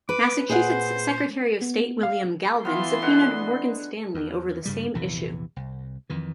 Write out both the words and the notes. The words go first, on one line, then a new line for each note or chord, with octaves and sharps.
Massachusetts Secretary of State William Galvin subpoenaed Morgan Stanley over the same issue.
B4 D6
A#2 G#4 C5 D#5 F#5
B3
F5
E3 B3 F4 C6
D3 G#3 F#5
E2
G2 C#3 G3
A#1 E2 C3 E3
C2
F2 D#3 E3